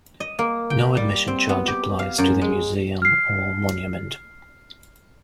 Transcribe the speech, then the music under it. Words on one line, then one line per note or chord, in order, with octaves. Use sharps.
No admission charge applies to the museum or monument.
D#5
A#3
G5
G3
C4
B3
G4
F5
F#2
G#3
F6 C7